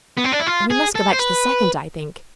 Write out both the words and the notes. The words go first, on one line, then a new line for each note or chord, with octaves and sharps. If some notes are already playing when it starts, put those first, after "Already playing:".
'We must go back to the second, I think.
B3
C4
D4
E4
F4
G#4
A4
C5
B4